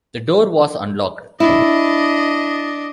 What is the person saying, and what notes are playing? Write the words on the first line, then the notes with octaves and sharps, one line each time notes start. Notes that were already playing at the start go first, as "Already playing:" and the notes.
The door was unlocked.
D4 E4 D#5